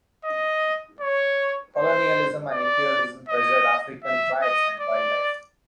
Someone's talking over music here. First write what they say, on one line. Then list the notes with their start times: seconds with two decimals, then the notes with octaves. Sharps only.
Colonialism and imperialism pressured African tribes and wildlife.
0.25 D#5
1.01 C#5
1.76 C5
2.52 D5
3.29 D#5
4.04 E5
4.42 D#5
4.80 D5